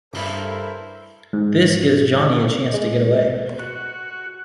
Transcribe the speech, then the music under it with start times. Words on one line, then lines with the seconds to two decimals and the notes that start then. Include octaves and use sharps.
This gives Johnny a chance to get away.
0.13 C2 G2 A3 E4 A4 A#4 C5 D6
1.33 G#2
2.74 G#3
3.59 F#4